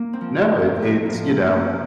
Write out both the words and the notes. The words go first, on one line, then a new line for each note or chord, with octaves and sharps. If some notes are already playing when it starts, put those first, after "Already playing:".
No it it's you know,
Already playing: A#3
C4
F3
C4
A2
A#3
A2 C4
A#3
F3
A3
F3 C4
A#3